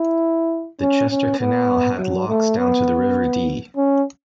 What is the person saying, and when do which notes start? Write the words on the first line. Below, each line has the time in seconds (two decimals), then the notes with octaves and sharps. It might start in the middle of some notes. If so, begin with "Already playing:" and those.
The Chester Canal had locks down to the River Dee.
Already playing: E4
0.81 C#4
1.10 C#4
1.39 B3
1.98 F#3
2.28 A3
2.58 B3
3.76 C#4